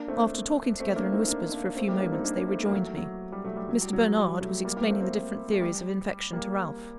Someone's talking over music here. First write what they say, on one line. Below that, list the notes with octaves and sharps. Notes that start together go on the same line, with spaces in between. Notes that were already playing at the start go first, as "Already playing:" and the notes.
After talking together in whispers for a few moments, they rejoined me. Mr. Bernard was explaining the different theories of infection to Ralph.
Already playing: A#3 D4
A3 C4
A3 C4
A#3 D4
C4 D#4
A#3 D4
A#3 D4
A3 C4
G3 A#3
A#3 D4
C4 D#4
A#3 D4
A3 C4
A#3
F#3 A3
F#3
G3
F#3 A3
G3
F#3
G3
F#3
G3
F#3 A3
G3 A#3
G3 A#3
A3 C4
A3 C4
A3
G3
G3 A#3